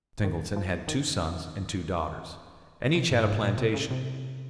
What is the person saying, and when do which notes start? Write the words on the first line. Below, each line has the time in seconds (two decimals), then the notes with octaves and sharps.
Dick Singleton had two sons and two daughters, and each had a plantation.
0.24 D#3
0.56 F3
0.88 D#3
2.95 C3
3.11 G#2
3.26 G#2
3.43 A#2
3.58 C3
3.74 C#3
3.90 C3